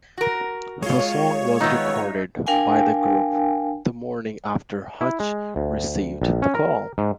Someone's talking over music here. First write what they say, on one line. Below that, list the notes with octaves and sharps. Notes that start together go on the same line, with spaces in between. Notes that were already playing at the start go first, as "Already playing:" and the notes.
The song was recorded by the group the morning after Hutch received the call.
F#4 A#4
G#3 F4 C#5
D#3 B3 D#4 E5
D4 A#4 F5 G5 G#5
E4
G#3
D2
A#1
C#4
A#4
G#2